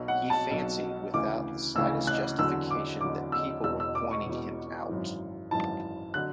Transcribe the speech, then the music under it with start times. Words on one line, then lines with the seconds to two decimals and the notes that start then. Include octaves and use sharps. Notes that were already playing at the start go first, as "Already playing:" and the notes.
He fancied without the slightest justification that people were pointing him out.
Already playing: B1 B2 F#3
0.08 F#5
0.30 A5
0.51 B1 B2 F#3
1.14 D2 C#3 E3 D6
1.75 D2 C#3 E3 E6
2.07 F#6
2.39 E2 D3 F#3 E6
2.71 D6
3.01 E2 D3 F#3 D6
3.32 E6
3.64 E1 E2 B2 E6
3.80 E6
3.95 D6
4.11 C#6
4.26 E1 E2 B2
4.89 G#1 F#2 E3
5.51 G#1 F#2 E3 A5
6.14 D3 F#3 F#6